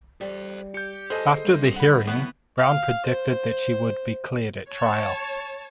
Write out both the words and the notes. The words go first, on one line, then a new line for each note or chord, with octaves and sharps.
After the hearing, Brown predicted that she would be cleared at trial.
G3 A4 C5
G4 G6 C#7
G#4 A4 B4 C5 D#5
G3 D4
F#5 B5
D#2 A2 F#3 B3
F5
C5
C#5 A5